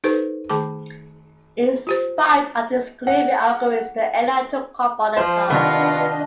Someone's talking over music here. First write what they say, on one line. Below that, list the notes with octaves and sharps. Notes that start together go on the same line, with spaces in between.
In spite of these gloomy auguries the airline took off on the charge.
D#4 G4 A4 B4 C5
D#3 A3 G#4 A5 B5 D6
F4 G4 C5
F#5
F3 C5
C3 D#3 B3 D4 F4 D#5